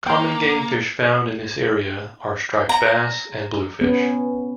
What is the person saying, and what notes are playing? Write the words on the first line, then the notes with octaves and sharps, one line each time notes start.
Common game fish found in this area are striped bass and bluefish.
A#3 G5 A#5 C6
A#5
B3 C#4